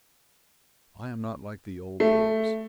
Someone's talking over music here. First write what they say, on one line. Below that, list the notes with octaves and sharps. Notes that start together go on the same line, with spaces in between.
I am not like the old Popes.
A3